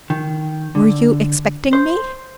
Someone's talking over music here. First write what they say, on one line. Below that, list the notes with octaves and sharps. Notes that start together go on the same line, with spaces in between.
"Were you expecting me?"
D#3
D3
C5